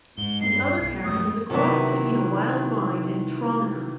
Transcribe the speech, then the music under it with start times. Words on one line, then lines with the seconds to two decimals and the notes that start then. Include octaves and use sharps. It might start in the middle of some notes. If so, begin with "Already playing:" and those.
The other parent is a cross between a wild vine and Traminer.
0.18 G#2 G7
0.41 G2 C7
0.79 B1
1.04 F#2 F3 A3 D#6
1.50 C3 D#3 E3 F#3 B3